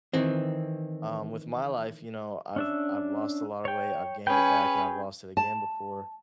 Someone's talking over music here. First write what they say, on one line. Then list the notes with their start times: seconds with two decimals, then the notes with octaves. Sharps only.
um, with my life, you know, I've I've lost a lotta weight, I've gained it back, and I've lost it again before,
0.13 D#3 E3 C4
2.56 C#4 D4 E5
3.65 C#5 G5
4.27 C#4 G#4 B4 G5
5.37 A5